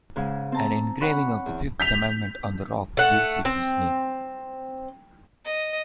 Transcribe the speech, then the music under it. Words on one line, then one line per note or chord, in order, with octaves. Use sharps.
An engraving of the Fifth Commandment on the rock gives it its name.
G#2 C#3 G#3
C4 A5 A#5
C#5 F#5 B5 C#6
E2
G6 B6 F7
A3 F#5
C4
D#5